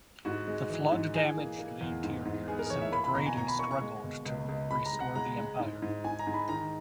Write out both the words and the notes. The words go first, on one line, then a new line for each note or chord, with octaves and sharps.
The flood damaged the interiors and Brady struggled to restore the Empire.
G#2 F#4
G#3
E3
G#2
E3 G#4
A#3
A#3
E2
G#2
G#2
B3 G#4
A#4
E3 C#5
E5
A#3 B5
B5
B2 A#5
G#5
B2 A#5
B5
A#3 C#6
C#6
G#3
B2
C#2
C#2
G#3 B5
A#5
G#3
F#5
G#3 A#5
G#3
G#2
G#2
G#2 G#5
A#5
G#2
B5
D#3 A#5